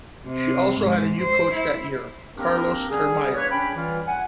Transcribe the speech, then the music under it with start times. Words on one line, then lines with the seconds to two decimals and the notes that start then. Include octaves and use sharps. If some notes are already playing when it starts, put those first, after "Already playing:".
She also had a new coach that year, Carlos Kirmayr.
0.23 C3
0.80 G#2
1.20 C5
1.53 E4
2.37 A#3 C4 D4 G4 A#4
2.90 D3 G3 C#4 G#4
3.35 A#3 B4 C#5
3.50 C#4 D4 G5 B5
3.76 E3 G3 F4
4.06 F#5 G#5